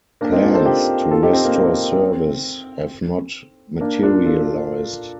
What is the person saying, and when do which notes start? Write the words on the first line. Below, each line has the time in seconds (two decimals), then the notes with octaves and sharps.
Plans to restore service have not materialized.
0.21 A#3 D4
0.32 C4 D#4
0.43 D4 F4
0.54 A4 C5
0.65 G4 A#4
1.11 F4 A4
1.23 D#4 G4
1.33 C4
1.45 A#3
1.56 C4
3.81 A#3 D4
4.03 D4 F4
4.25 F4 A4